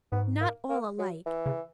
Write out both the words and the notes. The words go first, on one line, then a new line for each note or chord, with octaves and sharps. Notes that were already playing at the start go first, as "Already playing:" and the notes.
'Not all alike.
G#2 B3
A#3
A#3
F#3
E3
C#3